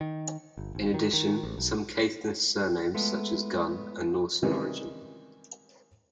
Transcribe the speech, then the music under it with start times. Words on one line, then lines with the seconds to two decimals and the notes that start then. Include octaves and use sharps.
In addition, some Caithness surnames, such as Gunn, are Norse in origin.
0.01 D#3
0.57 G1
0.75 G#1
0.94 D#3
1.13 D#3
1.43 A1
1.58 B1
2.94 G#3 A3 B3
4.43 C3 D#3 E3 G3 G#3 C#4